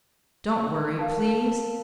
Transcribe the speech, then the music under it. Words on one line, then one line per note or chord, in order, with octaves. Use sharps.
Don't worry, please.
A#4 F5 A5